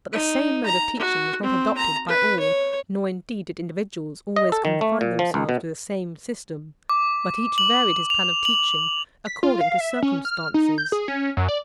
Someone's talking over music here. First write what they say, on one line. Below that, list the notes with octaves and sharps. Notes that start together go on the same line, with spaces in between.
But the same mode of teaching was not adopted by all, nor, indeed, did individuals always confine themselves to the same system, but each varied his plan of teaching according to circumstances.
D#4
A#5
F#4
C4
A#5
B4
C#5
D#5
A4
D#3
A3
A#2
F3
C#2
B2
D6
F#7
F7
F#7
B6
F4
F5
E5
C#4
F6
D#4
G6
G#4
C#4
F#2
D5